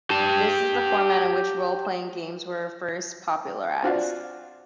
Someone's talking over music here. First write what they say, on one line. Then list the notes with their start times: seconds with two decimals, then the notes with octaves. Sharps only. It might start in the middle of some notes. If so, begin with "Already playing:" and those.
This is the format in which role-playing games were first popularized.
0.10 G4 A5
3.83 C4 D4 F4 F#4 D5